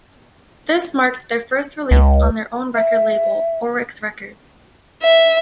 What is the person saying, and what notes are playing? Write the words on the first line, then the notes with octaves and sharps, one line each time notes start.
This marked their first release on their own record label, Orrexx Records.
C#2
E5
E5